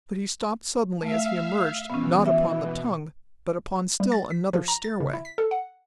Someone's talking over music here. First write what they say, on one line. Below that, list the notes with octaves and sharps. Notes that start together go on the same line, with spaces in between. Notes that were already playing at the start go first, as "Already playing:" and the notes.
But he stopped suddenly as he emerged, not upon the tongue, but upon still another stairway.
A3 E5 F5
B2 E3 B3 C#4
E5
G3
A6
B6
F3
A#5
A6
C#3
E4
B6
A4
F#5